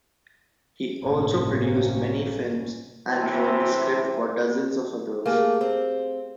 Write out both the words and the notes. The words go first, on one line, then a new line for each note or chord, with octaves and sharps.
He also produced many films and wrote the scripts for dozens of others.
G1 A2 C3 A#3 C#4
A2 C3 E3 C4
A3 A#3 G4 G#4 F5
C4